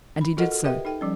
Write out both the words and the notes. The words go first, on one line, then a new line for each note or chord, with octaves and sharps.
And he did so.
B5
F4 F#4 A4 A#4 D#5 F#5
A4
G4 A#4 B4 D#5 E5 G5
D#4 A4 G5
F3 G3 C#4